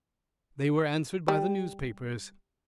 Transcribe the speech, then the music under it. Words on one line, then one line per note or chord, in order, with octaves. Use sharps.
They were answered by the newspapers.
G3